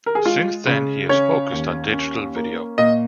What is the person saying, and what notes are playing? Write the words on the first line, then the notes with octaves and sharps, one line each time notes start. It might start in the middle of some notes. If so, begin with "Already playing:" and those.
Since then he has focused on digital video.
A#4
G#4
G#3 F4
C#3
C#4 C#5
D#2
C#4
A#3
A#2 D#5